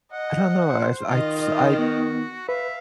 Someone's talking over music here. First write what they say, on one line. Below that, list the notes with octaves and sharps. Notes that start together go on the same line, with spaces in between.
I don't know, I I s I
D#5 F#5
C5
D#3 F4 D#5
B3 F#4
B4 E5 F5